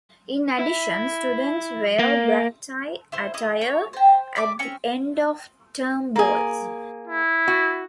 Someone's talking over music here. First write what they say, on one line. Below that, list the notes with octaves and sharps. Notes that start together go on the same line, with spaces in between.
In addition, students wear black tie attire at the end of term balls.
E4
A#3
E4 C5
E4 D#5 D#6
C#5
C5 G5
D5 E5 B5 D6
C4 C#4 C#6
A#3 G#4
E4
F#4